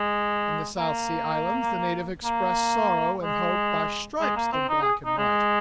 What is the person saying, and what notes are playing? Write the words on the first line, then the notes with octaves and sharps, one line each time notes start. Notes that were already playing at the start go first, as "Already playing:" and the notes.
In the South Sea Islands the natives express sorrow and hope by stripes of black and white.
Already playing: G#3
A#3
A#3
G#3
G#3
A#3
C4
D#4
G#4
D#4
G#3